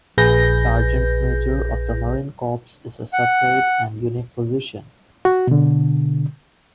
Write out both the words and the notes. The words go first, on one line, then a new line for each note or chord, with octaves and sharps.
Sergeant Major of the Marine Corps is a separate and unique position.
A#1 G#4 B4 G6 A#6
F#5
F#4
B2 D3